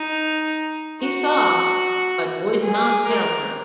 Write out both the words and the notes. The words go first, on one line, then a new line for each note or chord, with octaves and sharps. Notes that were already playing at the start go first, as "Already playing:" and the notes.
He saw, but would not tell her.
Already playing: D#4
F#4
G#4
A#4